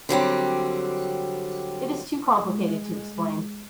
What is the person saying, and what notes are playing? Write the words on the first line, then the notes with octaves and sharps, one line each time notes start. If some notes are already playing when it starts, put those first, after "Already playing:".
It is too complicated to explain.
D3 F#3 G3 C4
G#3